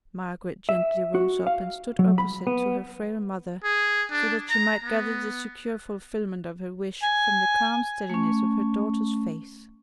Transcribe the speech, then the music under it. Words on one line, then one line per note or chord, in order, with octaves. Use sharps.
Margaret gently rose up and stood opposite to her frail mother; so that she might gather the secure fulfilment of her wish from the calm steadiness of her daughter's face.
E5
F#4
F5
F#3
B5
B3
G#4
D4
A#5
B3
G#5
A3 C#4